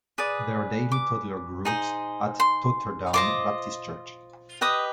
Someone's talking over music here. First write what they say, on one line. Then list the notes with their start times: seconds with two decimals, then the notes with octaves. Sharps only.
There are daily toddler groups at Totterdown Baptist Church.
0.18 G#4 B4 D5 D#6
0.92 D6
1.65 D#4 G#4 C5
2.40 C6
3.13 F4 C5 D#5 D6
4.61 G4 B4 D#5 D#6